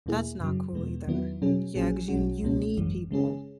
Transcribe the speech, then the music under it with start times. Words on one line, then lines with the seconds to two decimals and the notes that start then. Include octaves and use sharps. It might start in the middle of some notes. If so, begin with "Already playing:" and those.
That's not cool either. Yeah, 'cause you you need people.
0.06 E2 B2 A#3 E4 G#4
0.39 F#2 C#3 F#3
0.73 E2 B2 G#3 B3
1.07 E2 D#3 F#3 B3 E4
1.42 B2 F#3 C#4 G#4
1.75 A#1 A#2 F#3 C#4 G#4
2.08 B1 B2 F#3 C#4 F#4
2.43 C#2 B2 A#3 C#4
2.77 G#1 F#2 E3 G#3
3.11 C#3 G#3 C#4 G#4